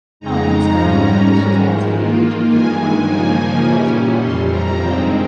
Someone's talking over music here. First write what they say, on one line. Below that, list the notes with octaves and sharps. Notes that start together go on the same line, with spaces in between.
I don't think so, I think it's just as you age, you think one thing, and then as you grow up, you think another.
F2 C#3 G#3 D#4 A#5
G#2 G3 C#4
G#2 D#3 G#3
D#3 A#3 F4
G2 D#3 G#3 G#5
C#3 F3 A#3 D#4 G#5
A#2 G3 C#4
F2 C3 G3 C6
A#5
G2 D#3 G#3 C4 G5